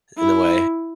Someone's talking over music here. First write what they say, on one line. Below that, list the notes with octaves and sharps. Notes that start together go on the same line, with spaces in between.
in a way.
E4